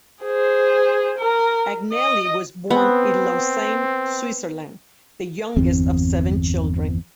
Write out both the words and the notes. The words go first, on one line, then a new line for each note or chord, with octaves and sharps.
Agnelli was born in Lausanne, Switzerland, the youngest of seven children.
G#4 C5
A#4
D#5
B3 C4
G1 E2 C4